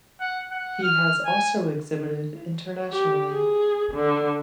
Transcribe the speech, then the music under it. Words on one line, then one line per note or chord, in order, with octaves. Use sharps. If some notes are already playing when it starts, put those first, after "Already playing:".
He has also exhibited internationally.
F#5
F#5
F6
G#5
G4
G#4
D3